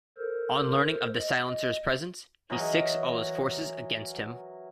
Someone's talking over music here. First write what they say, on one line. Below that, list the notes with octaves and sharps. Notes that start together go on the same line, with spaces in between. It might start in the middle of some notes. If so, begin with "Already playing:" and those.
On learning of the Silencer's presence, he sics all his forces against him.
A4 A#4 C5
D#5
E3 F#3 A#4 D#5